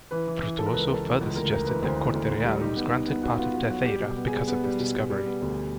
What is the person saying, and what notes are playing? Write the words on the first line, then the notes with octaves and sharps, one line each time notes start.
Frutuoso further suggested that Corte-Real was granted part of Terceira because of this discovery.
E3 B4
E3
E3
E3 A4
A#4
C#2 B4
C#2 A4
E3
C#2
D2 A#4
D2 A#4
E3 B4
D2 C5
E3
D2
D2
G3
D#4 G4
B3
D#4
B3
B3 F#4
B3 F4
B3 F#4
F#3 F#4
G3 G4
B2
B3
G#4
G3
B3
G3
B2
B2
G3
B3
D2